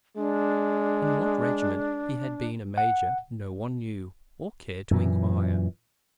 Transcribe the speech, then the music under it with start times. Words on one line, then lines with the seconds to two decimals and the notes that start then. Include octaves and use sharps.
In what regiment he had been a major no one knew or cared to inquire.
0.16 G#3 D4
2.78 F#5
4.91 F#2 A#2 E3